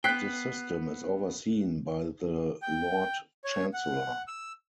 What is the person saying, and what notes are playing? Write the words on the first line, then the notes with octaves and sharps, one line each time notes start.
The system is overseen by the Lord Chancellor.
B3 G5 F#6 B6 C7
G5
C#5
F#5
E6